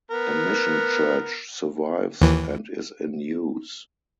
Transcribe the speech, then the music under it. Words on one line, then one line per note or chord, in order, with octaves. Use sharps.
A mission church survives and is in use.
B3 A#4
D#2 E3